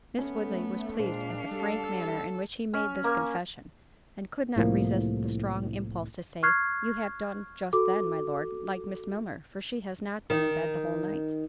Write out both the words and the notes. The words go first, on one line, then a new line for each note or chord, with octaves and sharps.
Miss Woodley was pleased at the frank manner in which he made this confession, and could not resist the strong impulse to say, "You have done just then, my Lord, like Miss Milner, for she has not been in bed the whole night."
A3 B3 C#4
A#2 G#3 D4 C5 F5
G3 A4
C#4
A#3
C2 A2 F3 A#3
C#6 F6 F#6 G#6 C7
F#4 A4 D6
D#3